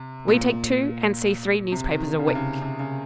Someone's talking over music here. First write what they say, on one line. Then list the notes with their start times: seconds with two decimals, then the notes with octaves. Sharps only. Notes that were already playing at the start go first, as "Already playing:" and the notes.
We take two and see three newspapers a week.
Already playing: C3
0.28 A#2
1.72 C3
1.96 D#3
2.19 C#3
2.27 C3
2.35 C#3
2.62 C3
2.79 C#3